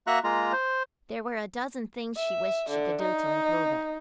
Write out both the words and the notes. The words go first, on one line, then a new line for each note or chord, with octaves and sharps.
There were a dozen things she wished she could do to improve it.
A#3 F#4 E5 A#5 C#6 F#6
G#3 A#3 F4 A#5
C5
E5
D3
D#4